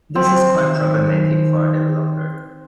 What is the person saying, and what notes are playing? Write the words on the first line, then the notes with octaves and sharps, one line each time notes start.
This is quite problematic for a developer.
C4
D#3